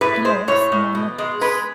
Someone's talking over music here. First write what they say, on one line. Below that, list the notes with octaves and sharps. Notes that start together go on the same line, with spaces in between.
Kellogg's Manor House.
A2 B4
G#3 C5
A2 C#5
A2
B2
G#3
G#3 B4